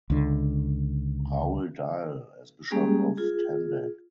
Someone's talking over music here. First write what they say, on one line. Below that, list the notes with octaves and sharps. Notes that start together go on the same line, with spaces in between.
Raul Dael as Bishop of Tandag.
C#2 D3
G3 G#3 A#3 C#4 G4 G#4
F4 G#4